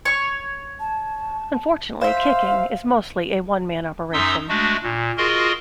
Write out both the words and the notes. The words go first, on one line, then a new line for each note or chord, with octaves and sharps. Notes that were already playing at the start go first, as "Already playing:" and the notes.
Unfortunately kicking is mostly a one-man operation.
C#5 C#6
A5
C5 E5 F5
F#2 D#4 E5 C6 D#6 E6
G#3 A3 D4 F#4
A#2
F4 F#4 G#4 A#4 D#5 C6